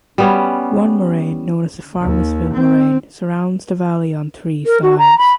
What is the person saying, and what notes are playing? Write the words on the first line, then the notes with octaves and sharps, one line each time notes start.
One moraine known as the Farmersville moraine surrounds the valley on three sides.
G3 B3 C#4
D#2
C4
A#4
F#4
A#5
B5